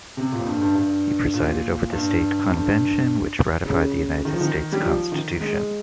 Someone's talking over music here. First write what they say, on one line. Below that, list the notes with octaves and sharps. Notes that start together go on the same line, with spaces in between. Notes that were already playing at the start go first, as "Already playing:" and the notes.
He presided over the state convention which ratified the United States Constitution.
C3
A#2
F2
G2
G2
G2
A#2
G2
F2
G2
C#3
D#3
F3
D#3
G3
F3
D#3
G#3